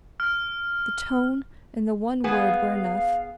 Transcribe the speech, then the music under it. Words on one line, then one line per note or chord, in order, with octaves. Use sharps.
The tone and the one word were enough.
F6
B3 G#4 F5